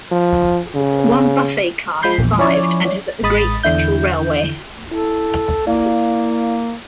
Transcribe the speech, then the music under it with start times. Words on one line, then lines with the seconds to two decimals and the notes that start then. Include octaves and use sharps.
One buffet car survived and is at the Great Central Railway.
0.12 F3
0.75 C#3
2.02 F3 G#3 B5 G6 C7
2.18 A#1 E2
2.38 F3 C#4 E4 C#5 D5
3.23 A1 G#3 B5 D#6 A6
3.63 E2 D3 E4 G6
4.91 E4 A4
5.67 A#3 E4 D5 F5